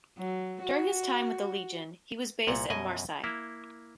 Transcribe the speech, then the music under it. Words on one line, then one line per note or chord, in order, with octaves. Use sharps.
During his time with the Legion, he was based at Marseille.
F#3
F#4
C2 A#2 F#5
F#2 B2 D#5 G#5
A#3 E4